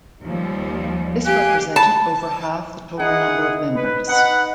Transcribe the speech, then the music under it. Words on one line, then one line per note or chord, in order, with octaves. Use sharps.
This represented over half the total number of members.
D#2 F3 G3
G4 F5 G#5 F#6
A5
D#4 E4 G#4 F#5
B4
D#4 B4 F#5